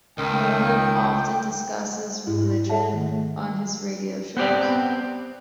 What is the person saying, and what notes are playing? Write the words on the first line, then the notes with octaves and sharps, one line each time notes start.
Nolan often discusses religion on his radio shows.
C#2 D#3 G5
G#2 E4 G4
G#4 A4 C#5 E5 F#5 A5
D#3 A3
B3 C4 G4 D5